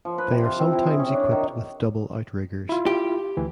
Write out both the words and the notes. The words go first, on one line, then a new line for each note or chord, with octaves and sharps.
They are sometimes equipped with double outriggers.
F3
B4
C3
F4
C4
E4
G#4
C#4
D4
D#3
E4 F4
G4
D2 E3